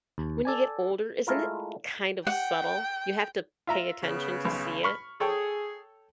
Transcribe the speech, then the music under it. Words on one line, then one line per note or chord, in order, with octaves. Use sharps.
When you get older, isn't it kind of subtle? You have to pay attention to see it?
D#2
A4 D5 G#5
G#3 A3 E4 F4 A#4
F#5 G5
F4 E5 A#5
C#3 B3
B1
B5 C#6 F6
G#4 A4 C#5 G5